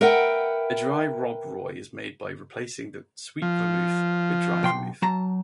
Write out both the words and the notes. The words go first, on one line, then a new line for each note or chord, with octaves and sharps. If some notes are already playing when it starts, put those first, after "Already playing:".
A "dry" Rob Roy is made by replacing the sweet vermouth with dry vermouth.
A#4 B4 E5 F#5 G5
F3
B1 G5 C6
F#3 A5 A#5